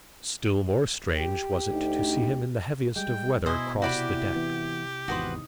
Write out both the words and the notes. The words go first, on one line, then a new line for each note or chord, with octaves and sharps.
Still more strange was it to see him in the heaviest of weather cross the deck.
G4
D2 D#4
G3 G#3 G5
B2 E4 C5 D#5 G#5
C3 E4 F#4 G4 D5 B5
E3 B3
G#1 E2 D#4 F#4 B4 C5